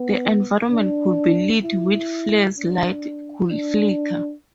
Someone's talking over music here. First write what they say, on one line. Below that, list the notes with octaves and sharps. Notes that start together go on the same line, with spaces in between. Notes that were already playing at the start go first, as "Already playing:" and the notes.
The environment could be lit with flares, lights could flicker.
Already playing: B3
D4
E4
D4
D4